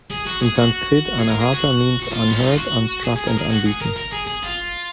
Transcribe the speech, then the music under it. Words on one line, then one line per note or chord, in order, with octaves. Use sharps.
In Sanskrit, "anahata" means "unhurt, unstruck, and unbeaten".
G#4
F#4
G#4
F#4
G#4
A#4
G#4
F#4
F#4
F4
B3
C#4
D#4
F4
F#4
G#4
G#4
A#4
G#4
F#4
G#4
A#4
A#4
G#4
G#4
F4